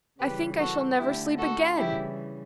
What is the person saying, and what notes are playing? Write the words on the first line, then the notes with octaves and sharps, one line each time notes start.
I think I shall never sleep again.
C#3 E3 G3 G4 B4
F#4 A4
D3 A3 E4 G4
F#4 A4
C#3 E3 G3 E4 G4